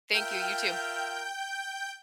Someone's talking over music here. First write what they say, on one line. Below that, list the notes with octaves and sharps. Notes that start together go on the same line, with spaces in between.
Thank you. You too.
F4 A#4 E5 G5 G6